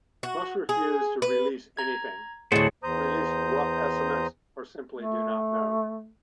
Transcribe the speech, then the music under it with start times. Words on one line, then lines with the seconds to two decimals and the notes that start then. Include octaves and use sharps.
Most refuse to release anything, release rough estimates or simply do not know.
0.23 F#4
0.69 G#4
1.22 B4
1.77 A#5 G#6
2.52 D2 A2 G#4 C5 C#5 D#5 F#5 A5
2.83 E2 C5 A#5 D#6 G6
4.96 A3